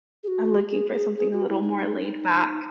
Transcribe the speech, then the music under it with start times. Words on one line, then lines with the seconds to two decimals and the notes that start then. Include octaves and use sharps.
I'm looking for something a little more laid back.
0.24 G#4
0.28 F#4
0.71 G#4
0.94 G#4
1.17 G#4
1.33 F#4
1.49 E4
1.63 D#4